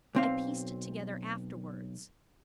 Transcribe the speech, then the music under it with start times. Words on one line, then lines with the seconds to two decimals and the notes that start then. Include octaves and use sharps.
I pieced it together afterwards.
0.15 B1 C4 F5